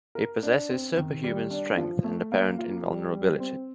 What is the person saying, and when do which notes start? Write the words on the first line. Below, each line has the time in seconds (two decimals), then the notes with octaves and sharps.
He possesses superhuman strength and apparent invulnerability.
0.15 A#4
0.43 D4
0.69 C4
0.97 D#3
1.24 G3
1.51 D4
1.77 F3
2.04 A3
2.32 A#3
2.59 F4
2.86 G3
3.13 G3
3.40 C4